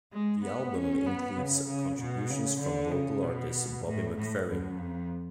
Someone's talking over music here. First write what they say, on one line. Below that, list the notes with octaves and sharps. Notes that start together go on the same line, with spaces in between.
The album includes contributions from vocal artist Bobby McFerrin.
G#3
B3
C#4
B3
C#3
C#3
B2
C#3
D3
C#3
B2
A2
A2
F#2
F2